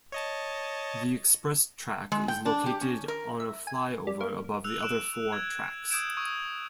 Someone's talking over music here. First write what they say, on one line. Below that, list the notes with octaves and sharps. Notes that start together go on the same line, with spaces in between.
The express track is located on a flyover above the other four tracks.
C#5 D#5 A5
G#3
G5
D4
G4
C#4
A#4
E5
G#5
G3
A#3
E6 F#6 F7
F#6 D7 E7
G#6
D#6 E6 G6 G#6 D7 E7
C#6 D#6 E6 G#6 D7